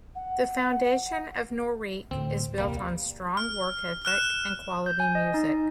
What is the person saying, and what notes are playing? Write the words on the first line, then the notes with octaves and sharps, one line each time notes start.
The foundation of Noriq is built on strong work ethic and quality music.
F#5
D2 A2 C4
D#1 C2 G3 A#3
F6
F6 F#6 E7
G6
G#5
D#5
D#4